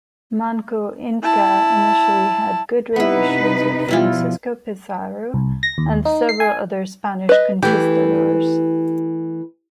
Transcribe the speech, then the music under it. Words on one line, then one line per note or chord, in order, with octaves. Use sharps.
Manco Inca initially had good relations with Francisco Pizarro and several other Spanish conquistadors.
E4 A5
C3 B3 D#4 E4 B4
B2 F3 G3 E4 F4
C2
A#6
D#2
D#4
C7
G#5
B4 D#5
E3 A3 G4